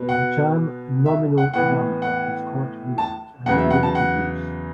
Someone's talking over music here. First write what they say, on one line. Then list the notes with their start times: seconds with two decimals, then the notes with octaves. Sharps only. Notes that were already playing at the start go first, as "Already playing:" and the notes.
The term "nominal number" is quite recent and of limited use.
Already playing: B2 B3
0.09 F#5
1.06 E5
1.38 F#5
1.53 A2 E3 B3 F#5
2.02 F#5
2.98 A5
3.46 E2 C#3 F#3 F#5
3.58 E5
3.70 F#5
3.83 A5
3.95 F#5